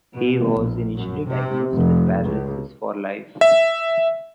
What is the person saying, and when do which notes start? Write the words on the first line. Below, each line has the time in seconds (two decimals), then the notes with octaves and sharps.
He was initially diagnosed with paralysis for life.
0.13 B2
0.54 A#1
0.96 F#2
1.29 C3
1.73 F1
2.24 C#2
3.41 E5